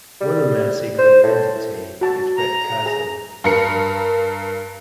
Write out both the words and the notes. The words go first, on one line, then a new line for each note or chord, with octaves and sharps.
Wonder Man's secret identity is Fred Carson.
G3
C5
A2
F#4 A5
A#5
G#4
G2 A#4 C#7